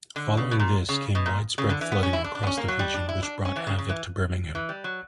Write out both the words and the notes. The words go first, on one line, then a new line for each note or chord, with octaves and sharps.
Following this came widespread flooding across the region which brought havoc to Birmingham.
D3
C#3
B2
A#2
C#3
B2
A#2
C#3
D3
E3
B3
C#4
E4
D4
D4
B3
C#4
A#3
F#3
G3
D4
E4
D4
C#4
E3
C#3
C#3
E3
E3
G3
F#3